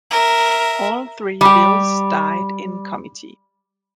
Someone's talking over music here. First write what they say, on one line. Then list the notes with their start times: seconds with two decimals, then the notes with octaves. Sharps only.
All three bills died in committee.
0.11 A#4 E5
1.41 G3 G4